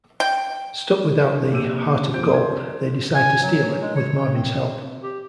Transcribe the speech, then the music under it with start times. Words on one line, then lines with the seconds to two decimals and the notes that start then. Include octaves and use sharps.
Stuck without the "Heart of Gold", they decide to steal it, with Marvin's help.
0.20 G5
1.50 A#1 D4 G4 E6 D#7
2.13 F#1 F3 C4 G6 D7
2.30 C6 G#6
3.15 G#5
3.42 F#3
3.81 G#3
3.96 C#5
4.32 C4
5.03 G4